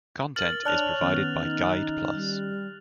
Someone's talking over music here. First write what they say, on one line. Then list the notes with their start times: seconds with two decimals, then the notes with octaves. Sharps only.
Content is provided by Guide Plus.
0.36 A#4 F6 A6 F#7
0.65 D4 C#5 D5 A5 F6 F#6 F7
1.02 D#3 B3 C#4
1.38 D#4
2.14 G3